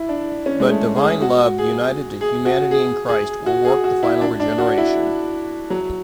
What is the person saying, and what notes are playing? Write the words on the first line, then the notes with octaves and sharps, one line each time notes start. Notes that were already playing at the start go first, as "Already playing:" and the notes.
But divine love, united to humanity in Christ, will work the final regeneration.
Already playing: E4
D4
C#4
G#3
A3
G#4
F#4
G#4
G#4
F#4
G#4
G#4
F#4
G#4
F#4
E4
D4
D4
F#4
E4
F#3